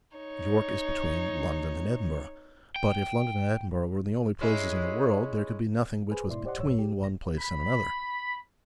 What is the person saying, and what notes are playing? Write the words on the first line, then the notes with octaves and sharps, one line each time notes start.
York is between London and Edinburgh; but if London and Edinburgh were the only places in the world, there could be nothing which was between one place and another.
D#4 C#5
G5
G#3 C#4 E4
G#4 B4 C5
G#2 B2 E4 D5 C6
G4 C5 D5 D#5 F#5 C6
A#1 G2 C#5 E6
G4
G#1 A#6
B5